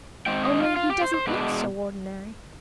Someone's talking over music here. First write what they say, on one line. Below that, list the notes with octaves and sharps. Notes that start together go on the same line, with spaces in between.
Only he doesn't look so ordinary.
D#3 G#3 C4 G5
D#5
F4
F4
G4
C5
C5
B2 G#3 D4 B4